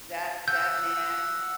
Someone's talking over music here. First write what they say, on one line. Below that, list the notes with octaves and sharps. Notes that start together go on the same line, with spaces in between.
that that man
F#5 E6 G6